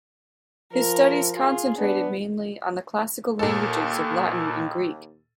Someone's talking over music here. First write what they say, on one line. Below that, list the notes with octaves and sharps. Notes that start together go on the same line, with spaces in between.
His studies concentrated mainly on the classical languages of Latin and Greek.
F3 A#4
F4 G#4
B3 D4
D#2 A#2 A4